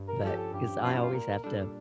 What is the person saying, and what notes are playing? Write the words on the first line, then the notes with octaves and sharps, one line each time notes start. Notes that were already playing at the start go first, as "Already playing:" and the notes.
but 'cause I always have to,
Already playing: G2
A#4
F3 C#4 G4 A4
A4
G2 G4
F3 C#4 F4 G4
E4
F4
A#2 A#4
G3 D4 A4